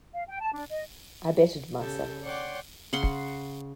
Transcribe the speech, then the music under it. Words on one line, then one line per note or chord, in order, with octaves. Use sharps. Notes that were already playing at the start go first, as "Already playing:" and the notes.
I bettered myself.
F5
G5
A5
D4
D#5
C#3 G4 A4 G6
C#5 D5 F#5 G5 C6 D6
C#3 F#5 C6